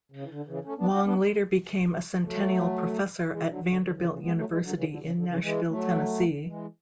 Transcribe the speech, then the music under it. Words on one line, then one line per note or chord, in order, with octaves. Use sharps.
Wang later became a Centennial Professor at Vanderbilt University in Nashville, Tennessee.
C#3
E3
D3
C#3 E3
A3 C#4
B3 D4
D4 F#4
B3 D4
F#3 A3
E3 G#3
D3 F#3
E3
D3 F#3
D3
C#3 E3
C#3 E3
G#3 B3
F#3 A3
E3 G#3
D3 F#3
C#3 E3
D3
C#3
D3
C#3 E3
E3 G#3
F#3 A3
E3 G#3